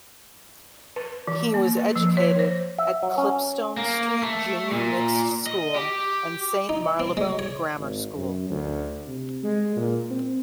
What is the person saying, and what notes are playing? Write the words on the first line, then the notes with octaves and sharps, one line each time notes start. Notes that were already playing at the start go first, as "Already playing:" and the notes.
He was educated at Clipstone Street Junior Mixed School and Saint Marylebone Grammar School.
B4
E3
A#3
B4
F3
C#5
C5
E5
F#3
C#4
A#3
A3
A#2
D#5
G4
D#4
C4
G#3
C#5
G#1
F#2
D2
C3
G#3
A#2
C4